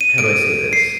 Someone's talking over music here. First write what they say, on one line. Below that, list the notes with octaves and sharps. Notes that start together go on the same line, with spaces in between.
how do I say this?
D#7
D7
C7